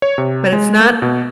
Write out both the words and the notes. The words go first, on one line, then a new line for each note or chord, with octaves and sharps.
but it's not
C#5
C3
G#3
A#3
B2